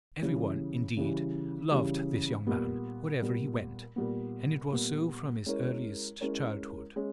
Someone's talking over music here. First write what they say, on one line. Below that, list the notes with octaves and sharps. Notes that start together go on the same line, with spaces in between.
Every one, indeed, loved this young man wherever he went, and it was so from his earliest childhood.
C#3 E3 G3
C#3 E3 G3
C#3 E3 G3
A#2 G3 B3
A#2 G3 B3
A#2 G3 B3
A#2 G3 B3
G#3 C#4 E4 A#4 C#5
G#3 C#4 E4 A#4 C#5
G#3 C#4